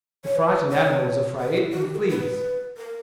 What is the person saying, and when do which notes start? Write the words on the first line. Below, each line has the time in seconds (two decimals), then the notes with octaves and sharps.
The frightened animal is afraid and flees.
0.25 C#5
0.36 B4
0.70 C#5
1.40 B4
1.57 E4
1.70 F#4
1.82 G4
1.95 A#4
2.09 B4
2.77 A#4